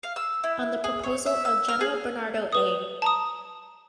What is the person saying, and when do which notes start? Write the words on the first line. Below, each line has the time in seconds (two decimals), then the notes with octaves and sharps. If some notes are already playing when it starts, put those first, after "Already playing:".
On the proposal of General Bernardo A.
0.03 F5
0.16 E6
0.44 E4
0.84 G#4
1.04 C#5
1.26 E5
1.45 E6
1.68 F6
1.81 G#4
2.52 B4 D#6
3.02 A5 A#5 D#6